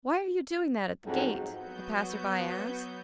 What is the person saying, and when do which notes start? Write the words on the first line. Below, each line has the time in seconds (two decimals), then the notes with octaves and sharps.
"Why are you doing that at the gate?" a passer-by asked.
1.05 F2 G#2 F#3
1.51 F#3 B3 F#4 G6